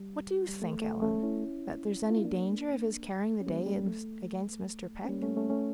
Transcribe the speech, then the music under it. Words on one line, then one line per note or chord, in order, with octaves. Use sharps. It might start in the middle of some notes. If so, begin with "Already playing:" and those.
"What do you think, Ellen; that there's any danger of his carrying the day against Mr. Peck?"
Already playing: G3
G3
A3
A3
A3 C#4
C#4 E4
F4
E4
A#3 D4
C#4
G3 A#3
G3
A3
C#4
G3 A#3
A3 C#4
A3 C#4
A3 C#4